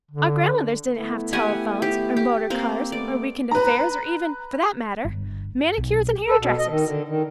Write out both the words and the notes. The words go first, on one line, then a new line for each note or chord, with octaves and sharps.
Our grandmothers didn't have telephones, or motor-cars, or week-end affairs, or even--for that matter--manicures and hair-dressers!
D3
A3 B3 E4
G4 F#5 G#5
G4
G4
A#3 C4
A3 B3 D5
B4 A#5
G1
B1
A4
B2
D#5
D#3
D3
D#3